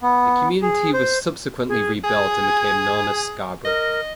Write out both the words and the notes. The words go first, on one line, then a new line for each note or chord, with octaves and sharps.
The community was subsequently rebuilt and became known as Scarborough.
B3
G#4
C5
G#4
G#4 G#5
A#4 D#5